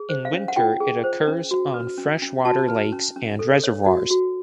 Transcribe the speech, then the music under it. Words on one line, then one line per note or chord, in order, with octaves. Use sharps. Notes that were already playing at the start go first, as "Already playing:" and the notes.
In winter, it occurs on freshwater lakes and reservoirs.
Already playing: G#4
C5
F5
C#4
F#5
F4 G5
G#4
C5
C#4
F#4
B4
C#4
C#4
F#4 A5
B4
C#4
C#4
A4
C#5
F#4
F#4